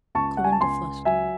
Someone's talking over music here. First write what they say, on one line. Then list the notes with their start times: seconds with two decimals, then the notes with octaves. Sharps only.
Clorinda flushed.
0.15 C#2 A5 C#6
0.37 F#5
0.44 G#5
0.52 A5
0.61 C#2 G#5 C6
1.05 F#3 E5 G#5